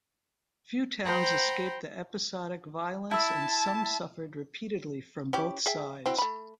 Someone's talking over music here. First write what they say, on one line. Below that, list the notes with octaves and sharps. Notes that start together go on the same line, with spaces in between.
Few towns escaped the episodic violence and some suffered repeatedly from both sides.
C5 F#5 G5 A#5 B5
E4 E5 A5
C#4 E4 G4
G#4 E5 G5
C4 E4 F#4
A3 B5